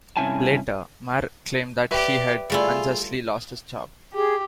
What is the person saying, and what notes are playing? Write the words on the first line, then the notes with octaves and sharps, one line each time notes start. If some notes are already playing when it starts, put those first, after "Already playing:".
Later, Marr claimed that he had unjustly lost his job.
G2 C3 C#4 E4 G#5 A5
G4 B4 D5 E5 G5
G3 A3 E4 F4 G#4
G4 G#4